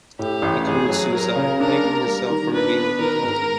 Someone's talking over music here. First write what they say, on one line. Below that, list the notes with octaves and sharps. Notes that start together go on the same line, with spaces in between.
He committed suicide, hanging himself from a beam with his belt.
A2 G4
A1
A1 G#4
F#3
F#3 A#4
C#3
D4 A#4
A#3
G3 A#4
D#3
D4 B4
B3
D#3 A#4
G#2